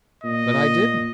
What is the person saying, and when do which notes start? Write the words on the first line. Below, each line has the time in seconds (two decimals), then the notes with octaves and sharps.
"But I didn't."
0.24 A#2 D#5